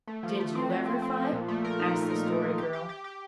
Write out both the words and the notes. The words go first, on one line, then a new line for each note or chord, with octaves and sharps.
"Did you ever fight?" asked the Story Girl.
A3
F3
A3
C4
A3
C4
C4
F3
A#2
A3
A#4
D#4
A#2
A#4
A#2
A#2
G4
G4
G4
G4